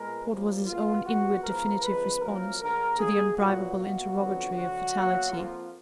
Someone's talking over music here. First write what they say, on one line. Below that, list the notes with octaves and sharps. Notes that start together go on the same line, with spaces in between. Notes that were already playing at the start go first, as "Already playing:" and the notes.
What was his own inward definitive response to the unbribable interrogatory of fatality?
Already playing: A#2 G#3 B3 A#4
F#2 F3 A#3
B2 G#3 B3 F4
A#2 G#3 B3 F#4
G#2 F3 B3 A#4
F2 D3 G#3 B4
F#2 F3 A#3 A#4
D2 D3 G#3 A#4
D#2 D#3 A#3 G#4
A#2 F#3 B3 F#4
B2 A#3 F#4
F2 D3 F#3 B3
D2 D3 F#3 F#4
B2 F#3 A#3
F2 F3 A#3 F4